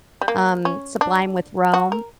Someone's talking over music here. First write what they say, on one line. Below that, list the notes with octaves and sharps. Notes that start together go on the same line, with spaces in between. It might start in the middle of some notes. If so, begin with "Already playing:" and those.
um, Sublime with Rome,
G3
A#3
C#4
D4
F#4
A#4